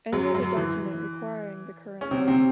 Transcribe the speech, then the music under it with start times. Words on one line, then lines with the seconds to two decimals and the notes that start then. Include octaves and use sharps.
Any other document requiring the current law.
0.12 F#2 F#3
0.35 F#2 F#3
0.57 E3
2.01 C#4
2.11 C3 C4
2.28 C3 C4